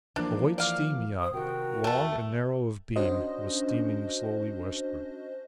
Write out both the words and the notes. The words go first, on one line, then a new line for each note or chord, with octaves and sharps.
A white steam yacht, long and narrow of beam, was steaming slowly westward.
E3 F3 A#3 D4
D5 F5
C5 D#6
C3 D#3 F#4 A#4 G5
E2 A3 A4 A5
C#4 D4 F#4 C5 D#5